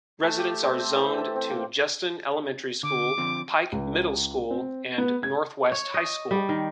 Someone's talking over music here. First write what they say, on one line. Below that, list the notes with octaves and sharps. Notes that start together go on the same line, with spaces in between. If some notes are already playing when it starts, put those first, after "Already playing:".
Residents are zoned to Justin Elementary School, Pike Middle School, and Northwest High School.
A3
G4
C4
A3
E3
A4
C4
A#3
D3 D6
D3 F3 C4
C#2
C4
B3
G#6
C#5
D#5
G3
D#3